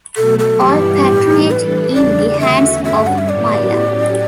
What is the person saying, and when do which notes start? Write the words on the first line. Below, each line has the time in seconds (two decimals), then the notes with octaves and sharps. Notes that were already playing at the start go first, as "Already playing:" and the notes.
All patronage in the hands of Myla!
0.16 B2 F#3 A3 A4
0.39 A4
0.61 G2 E3 G3 B3 E4 G4
1.06 A2 E3 G3
1.50 E3 G3 D4 A4 B4
1.95 E2 C#3 G3 D4 D5
2.39 E2 D3 A3 C#4 F#4 E5
2.85 G2 D3 G3 C#4 E5
3.07 F#5
3.18 E5
3.29 A2 F#3 B3 E4 G4 D5
3.74 A2 F#3 C#4 G4